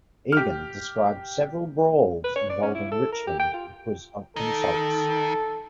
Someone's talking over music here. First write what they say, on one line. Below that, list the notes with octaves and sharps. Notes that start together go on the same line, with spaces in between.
Egan described several brawls involving Richmond because of insults.
G4 F6
B4
C#5
D5
C#4
E4
A4
A#4
G4
G5
F4
D#3 A4